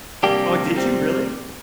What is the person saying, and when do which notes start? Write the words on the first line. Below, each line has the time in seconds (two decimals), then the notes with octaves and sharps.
Oh, did you really?
0.23 C3 G3 A#3 D4 G4
0.76 C3 G3 C4